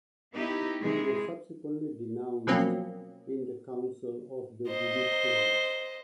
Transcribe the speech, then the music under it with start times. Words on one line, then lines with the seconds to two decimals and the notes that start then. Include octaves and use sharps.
He was subsequently denounced in the Council of the Judiciary.
0.32 B3 D#4 E4 G4
0.82 C3 E3 G#3 G#4
2.47 B2 F3 F#3 A#3 C4 C#4
4.68 C5 D#5